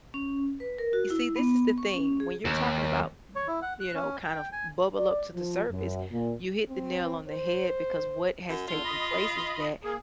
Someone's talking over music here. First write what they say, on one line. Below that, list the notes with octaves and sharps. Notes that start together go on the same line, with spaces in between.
You see, this is the thing, when you're talking about, m you know, kind of bubble up to the surface you hit the nail on the head because what has taken place is that
C#4
B4
A#4
F#4
E4
B3
C#6
C#4
G#4
D#2
C#5
E4
F#5
F#6
C#4
G5
G#5
D5
F3
F#2
A#2
C4
C5
F#2
E2 D3 F4
D#5 B5
A#3 G#4